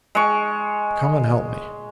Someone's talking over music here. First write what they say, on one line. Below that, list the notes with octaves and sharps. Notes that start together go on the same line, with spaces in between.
"Come and help me."
G#3 C#6